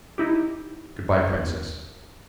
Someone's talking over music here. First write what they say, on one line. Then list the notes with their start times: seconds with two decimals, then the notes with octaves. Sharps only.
Good-bye, Princess.
0.18 D#4 E4 G4